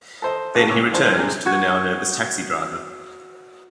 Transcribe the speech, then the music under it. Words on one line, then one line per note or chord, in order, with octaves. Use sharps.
Then he returned to the now nervous taxi-driver.
A4 C5 D#5
A#1 C#3 F#4 A5
C#2 C#5 D6 E6
E3 F3 D4 C5
C3 G#4 F6
F#4 G#6